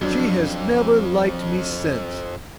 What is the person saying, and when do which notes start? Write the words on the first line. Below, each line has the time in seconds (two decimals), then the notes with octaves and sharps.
She has never liked me since.
0.01 F2 F#3 D4